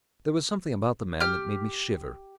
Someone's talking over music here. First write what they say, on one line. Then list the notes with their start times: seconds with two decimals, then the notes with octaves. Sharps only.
There was something about the man that made me shiver.
1.20 G4 F6